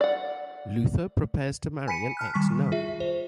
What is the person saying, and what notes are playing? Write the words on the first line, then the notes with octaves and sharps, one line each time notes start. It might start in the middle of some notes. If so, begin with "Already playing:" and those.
Luther prepares to marry an ex-nun.
D5 F#5
G#5 B5 B6 C#7 D#7
A5 F6 F#6
D#3 G3 C#6 B6
F4 G#4 E5
C5